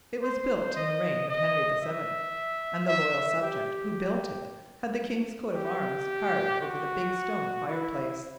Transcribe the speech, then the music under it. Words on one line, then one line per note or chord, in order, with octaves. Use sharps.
It was built in the reign of Henry VII, and the loyal subject who built it had the king's coat of arms carved over the big stone fireplace.
C5
D#5
D#5
E5
E5
G4
G4
F#4
E4